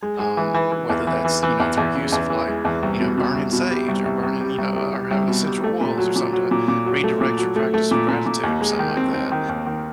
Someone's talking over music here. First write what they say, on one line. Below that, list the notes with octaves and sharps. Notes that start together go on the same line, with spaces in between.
um, whether that's, you know, through use of, like, you know, burning sage or burning you know or having essential oils or something to redirect your practice of gratitude or something like that.
G#3
G#3
E3
E3
E3
E2
E3
E3
E3
E2
E2
C#3
E2
E3
G#3
E2
C2
B2
B2
C2
B2
G3
C2
C2
C2
G3
C2
C2
G3
C2
B2
G3
A3
A#2
F#3
A#2
F#3
A#2
A#2
F#3
A3
A#2
F#3
A3
A3
A#2
A#2
A#2
D#2
G#3
D#3
C4
C4
D#3
D#2
D#3